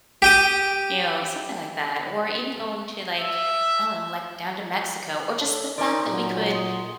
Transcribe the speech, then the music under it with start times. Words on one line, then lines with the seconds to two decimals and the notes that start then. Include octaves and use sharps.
you know, something like that, or even going to, like, I don't know, like, down to Mexico or just the fact that we could
0.22 G4 G5 D#6
3.18 E5
5.38 A4 C#5 A5
5.78 D#4 A#4 C5 D5 C6
6.07 A#2 F#3
6.52 C6 D#6